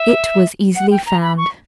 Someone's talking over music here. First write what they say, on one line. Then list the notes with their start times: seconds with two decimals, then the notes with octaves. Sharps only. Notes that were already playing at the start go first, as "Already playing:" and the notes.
It was easily found.
Already playing: E5
0.76 F#5
0.91 G5
1.06 A#5
1.22 B5
1.37 C#6